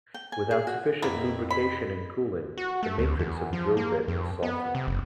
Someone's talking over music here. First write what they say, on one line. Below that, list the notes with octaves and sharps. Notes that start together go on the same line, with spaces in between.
Without sufficient lubrication and cooling, the matrix of the drill bit will soften.
G5
G#5
G#4
F#4
F2 A#3 B3 E4
B5
F#4
A3
D2
E2
F3
A#3
F2
B3
C3
F#1